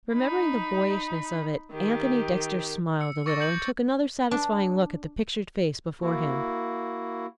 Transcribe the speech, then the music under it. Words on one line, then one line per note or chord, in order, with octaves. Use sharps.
Remembering the boyishness of it, Anthony Dexter smiled a little and took another satisfying look at the pictured face before him.
D#4 B5
D#3 G4
E6 C#7
C#6 D6 E6 A6 A#6 C#7
G6 C#7 F#7
D4
A#3 E4 F#4